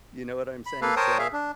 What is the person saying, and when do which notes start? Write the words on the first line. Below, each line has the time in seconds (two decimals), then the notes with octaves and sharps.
You know what I'm saying, so
0.66 B5
0.82 A#3 A4 B4 F5
0.97 A#4 C5 C#5 G5 A5 D#6
1.19 G#4 E5 F5
1.33 D4